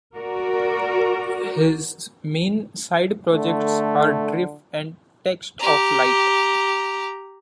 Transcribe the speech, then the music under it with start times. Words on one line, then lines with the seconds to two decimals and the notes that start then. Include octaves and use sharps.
His main side projects are Drift and Text of Light.
0.16 F#4 A#4 D5
3.32 D3 A3
5.59 G4 A#5